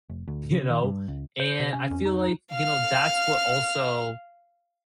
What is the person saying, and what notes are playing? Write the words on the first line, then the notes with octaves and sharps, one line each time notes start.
you know, and I feel like, you know, that's what also
F1
D2
C#3
D#3
G2
C#2
C5
C3
C#4
F2
D#4
F5 F6